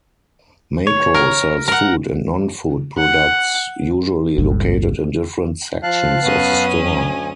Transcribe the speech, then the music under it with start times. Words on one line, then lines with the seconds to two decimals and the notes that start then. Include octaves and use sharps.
Makro sells food and non-food products, usually located in different sections of the store.
0.87 C#5
1.14 A#4
1.68 A#4 F#5
2.98 F#5
4.38 G1 C#2 G2 A#2
5.83 F3 F5 A5 F#6
6.22 F#2 B3 C#4 D#6
6.98 D2 G#5